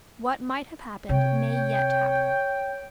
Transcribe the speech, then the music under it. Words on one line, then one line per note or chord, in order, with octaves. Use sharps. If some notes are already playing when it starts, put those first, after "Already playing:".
What might have happened may yet happen.
C3 C#5 G5